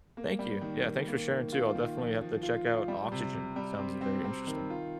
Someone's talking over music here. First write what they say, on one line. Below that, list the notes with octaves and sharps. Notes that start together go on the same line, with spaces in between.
Thank you, yeah, thanks for sharing too. I'll definitely have to check out oxygen, that sounds very interesting.
A#3
G3
D#3
D#3
A#3
D#3
F4
D#3
F3
F3
F4
F4
G3
C3
C3
G3
C4
C4
C4
D#3
F4